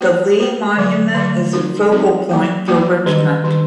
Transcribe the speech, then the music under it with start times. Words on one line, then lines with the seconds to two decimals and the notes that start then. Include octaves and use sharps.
The Lee Monument is a focal point for Richmond.
0.01 A#3 F#4 C5
0.38 A#3 F#4 C5
0.77 D3 F#3 A3
1.15 D3 F#3 A3
1.53 F#3 C4 D#4 F#4 A#4
1.91 F#3 C4 D#4 F#4 A#4
2.29 F#3 A#3 F#4
2.68 F#3 A#3 F#4
3.06 D#3 G3 D4 G4
3.44 D#3 G3 D4 G4